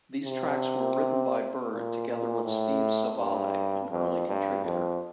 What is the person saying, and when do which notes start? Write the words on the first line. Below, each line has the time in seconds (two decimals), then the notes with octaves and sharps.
These tracks were written by Bird together with Steve Savale, an early contributor.
0.25 C3
1.72 A#2
2.08 A#2
2.45 A2
3.19 G2
3.91 F2
4.28 G2
4.65 F2